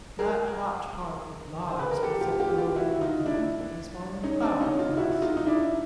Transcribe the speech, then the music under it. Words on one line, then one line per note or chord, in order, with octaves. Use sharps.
That hotch-pot of lies we set going among the people has fallen foul of us.
G#4 A#4
C5
B4
A#4
G4 A4
F4 G4
F4 G4
F4 G4
E4 F#4
D#4 F4
D4 E4
C#4 D#4
C4 D4
C#4 D#4
D#4 F4
E4 F#4
D#4 F4
D#4
D4 E4